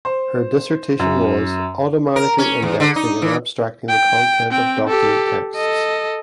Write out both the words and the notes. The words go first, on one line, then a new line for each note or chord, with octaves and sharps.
Her dissertation was "Automatically Indexing and Abstracting the Content of Document Texts".
C5
F#2
A#4
C#4
E2
D3
D#4
E3
G5
C4 G5
G4 A4
A4 D#5